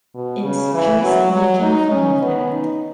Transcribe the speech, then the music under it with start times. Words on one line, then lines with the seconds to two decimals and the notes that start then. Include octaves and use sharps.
It's just making fun of that.
0.14 B2
0.44 C#3
0.74 E3
1.03 F#3
1.33 F#3
1.62 D#4
1.91 C#4
2.21 B3
2.51 D#4